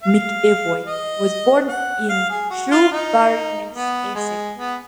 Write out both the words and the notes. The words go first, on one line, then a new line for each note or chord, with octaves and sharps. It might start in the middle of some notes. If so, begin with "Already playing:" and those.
McEvoy was born in Shoeburyness, Essex.
F5
D#5
F#5
F5
G#4
F#4
F4
D#4
B3
G#3
B3